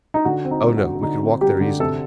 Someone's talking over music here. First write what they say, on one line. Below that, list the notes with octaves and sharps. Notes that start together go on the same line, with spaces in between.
"Oh, no, we could walk there easily."
D#4
D3 F#4
C4
D#4
G3
F#4
D3
D3 D#4
C4
G3 G4
D3
C3 A4